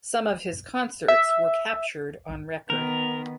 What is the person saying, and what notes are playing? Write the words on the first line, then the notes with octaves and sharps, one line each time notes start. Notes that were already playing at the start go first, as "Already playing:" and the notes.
Some of his concerts were captured on record.
E5
D#3 B3 A#4